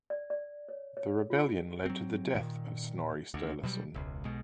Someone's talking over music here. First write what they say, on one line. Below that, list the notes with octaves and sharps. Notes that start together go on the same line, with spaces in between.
The rebellion led to the death of Snorri Sturluson.
D5
D5
C#5
C#5
F4
F#3 C4
A#2 D#3
D2
B2 F#3 G3
E1 C#2
B1 B2 G#3